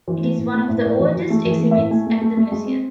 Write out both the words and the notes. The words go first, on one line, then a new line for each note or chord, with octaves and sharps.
It is one of the oldest exhibits at the museum.
E3 C5
A3
A2
A3
A2 C5
A2 D5
E3
E3
A3 G#4
E3
G#4
A3
E5
A2
A3 G#5
A3
A3
A3
G#3
C4